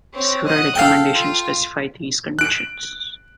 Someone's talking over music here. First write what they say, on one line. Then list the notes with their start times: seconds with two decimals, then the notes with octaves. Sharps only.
Several recommendations specify these conditions.
0.13 C4 C#5
0.46 D#5 F#5
0.75 A4 F5 G5
1.13 F4
2.39 F#6 D7